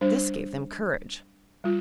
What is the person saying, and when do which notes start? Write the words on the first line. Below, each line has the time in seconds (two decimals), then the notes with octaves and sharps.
This gave them courage.
0.01 G3 D4 C5
1.64 G3 F4